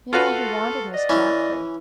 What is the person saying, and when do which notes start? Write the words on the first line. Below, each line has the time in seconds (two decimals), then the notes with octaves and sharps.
You know he wanted Miss Chapley.
0.13 F4 F#4 A4 B4
0.94 D5 D#5
1.09 E3 C#4